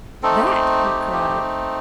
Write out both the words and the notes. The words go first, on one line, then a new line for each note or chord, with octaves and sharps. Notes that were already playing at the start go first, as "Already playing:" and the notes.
"That!" he cried.
A3 C4 D#4 A4
G4
G4